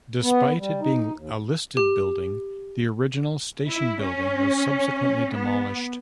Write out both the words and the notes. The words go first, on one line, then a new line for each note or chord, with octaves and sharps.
Despite it being a listed building, the original station building was subsequently demolished.
B3
G3
D#4
D#2
G4
E4
C#4
B3